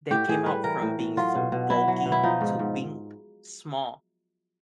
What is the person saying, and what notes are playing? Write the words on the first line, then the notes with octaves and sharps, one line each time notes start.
they came out from being so bulky to being small,
A2 G4
A2 G#4
G3 B4
E3 A#4
A2
A2
F#3 F4
B2
B2
F#3 E4
F#3
B2
E4
F3 D#4
G#2
G#2